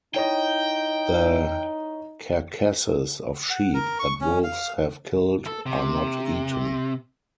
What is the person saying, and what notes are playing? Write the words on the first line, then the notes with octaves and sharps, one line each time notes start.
The carcasses of sheep that wolves have killed are not eaten.
D#4 E4 C#5 D#5 G5
F#5
A#4
C#6
C#4
F5
A4
C3